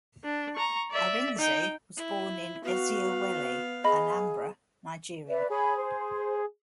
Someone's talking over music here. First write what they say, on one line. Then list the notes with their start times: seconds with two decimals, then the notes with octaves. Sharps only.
Arinze was born in Eziowelle, Anambra, Nigeria.
0.24 D4
0.55 A#5 C#6
0.91 D5 E5
1.38 D#4 G5
1.97 E4
2.65 B3 F#4 F5
3.84 G#4 D#5 B5
5.28 B4 D5 E5
5.50 G#4 C#5 G#5 B5
5.76 C5